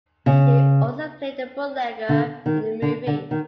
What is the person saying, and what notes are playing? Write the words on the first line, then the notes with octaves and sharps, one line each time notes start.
He also played the bootlegger in the movie.
C#3
D3
D#3
D3
D3
D#3